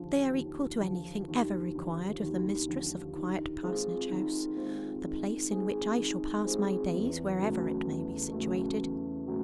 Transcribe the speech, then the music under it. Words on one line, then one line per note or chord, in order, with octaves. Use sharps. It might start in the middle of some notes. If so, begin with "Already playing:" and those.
They are equal to anything ever required of the mistress of a quiet parsonage-house--the place in which I shall pass my days, wherever it may be situated.
Already playing: D#2 D3 F3
D#2
D3 F3
D#2
D3 F3
D#2
D3 F3
D#3
G#3 C4 F4 G#4
D#3
G#3 C4 F4 G#4
D#3
G#3 C4 F4 G#4
D#3
G#3 C4 F4 G#4
E2
C#3 F#3 A3
E2
C#3 F#3 A3
E2
C#3 F#3 A3